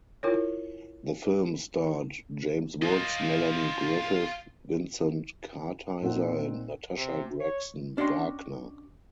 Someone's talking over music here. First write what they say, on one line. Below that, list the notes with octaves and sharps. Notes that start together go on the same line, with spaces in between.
The film starred James Woods, Melanie Griffith, Vincent Kartheiser and Natasha Gregson Wagner.
E4 F4 A#4 C#5
F4 D#5
A#2 C4 D#4 A#4 F#5
C3
C#5
C#4 D4 F#4 D#5 G5 C6